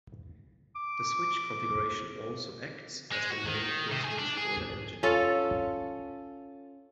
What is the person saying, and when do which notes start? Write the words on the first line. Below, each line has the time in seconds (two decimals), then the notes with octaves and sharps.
This switch configuration also acts as the main kill switch for the engine.
0.75 D6
3.12 G#3
3.31 F#4
3.46 D#3
3.91 C3
4.04 G#4
4.19 D4
4.38 G#4
5.03 C#4 F4 A4